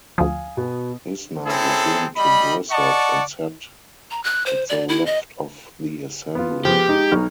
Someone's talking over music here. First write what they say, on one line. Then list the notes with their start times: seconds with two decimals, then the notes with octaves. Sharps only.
Isnard was linked to Brissot and sat at the left of the Assembly.
0.18 D2 F3 F5 G#5 D#6
0.57 B2 B3
1.46 C4 C#4 E4 G#4 A4
2.16 G3 D#5 B5
2.71 D5 D#5 F#5 A5 C#6
4.11 A#5
4.24 F#6
4.46 C5
4.69 D5
4.89 E4
5.06 D#5
6.35 B3 F4
6.65 F3 B3 G4 G#4
6.88 G#3 D#4
7.11 B1 D#4 F6